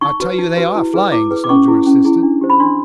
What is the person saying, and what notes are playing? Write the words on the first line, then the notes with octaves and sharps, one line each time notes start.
"I tell you they ARE flying," the soldier insisted.
D#4 C#6
F#4 B4
D#4
F#4 B4
E4
G#4 B4
E4 D6
G#4 B4
D6
C#4 C#6
E4 G#4
C#4
E4 G#4
D4
G4 C5
B5
D4 C6